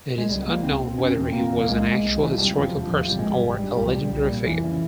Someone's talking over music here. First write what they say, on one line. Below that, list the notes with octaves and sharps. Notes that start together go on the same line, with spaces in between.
It is unknown whether he was an actual historical person or a legendary figure.
G#3
C#2 G3
C3 A#3
C#2 C4
C3
F1 C#4
E2 C3 C4
F1 A#3
E2 C3
A#3
C2 G#3
C3
C2
C3 E3
F3
E1 G3
E2 C3 F3
E1 F3
E2 C3 F3
G#1 G3
G#3
G2
G3
G#1
G2
C2 G3
F3
A#2 G3
C2
A#2
F1 E3
C#3